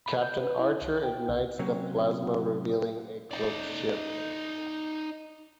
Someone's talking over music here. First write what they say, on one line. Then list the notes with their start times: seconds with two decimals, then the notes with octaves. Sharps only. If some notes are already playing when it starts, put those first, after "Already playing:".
Captain Archer ignites the plasma, revealing a cloaked ship.
0.06 B5
0.22 G6
0.38 B4
0.59 E4
0.82 C2
1.04 G5
1.29 C2
1.59 C3 F#3 A#3 C4 C#4
3.31 D#4 D5